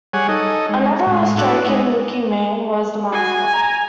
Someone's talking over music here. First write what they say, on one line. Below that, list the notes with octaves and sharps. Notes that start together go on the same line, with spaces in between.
Another striking looking man was the Master.
G3 G#4 C#5 F#5 G#5
D#4 A4 D#5
G#3
A2 G#3
A3 D4 E4 F#4
G#3 D#4
F#4 G#4 G#5
A#5